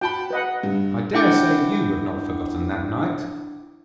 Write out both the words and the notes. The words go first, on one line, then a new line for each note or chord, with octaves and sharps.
I dare say you have not forgotten that night!
F#4 G5 A5 B5
B4 D#5 F#5
G2
D4 E4 F#5 G5 D6 G6